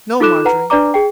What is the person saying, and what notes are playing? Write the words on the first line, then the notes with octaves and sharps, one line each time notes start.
No, Marjorie.
D#4 F4 A4 D6 F#6 E7
B4 F#5 A#5
D4 B4 D5 A#5 D6
G#4 G5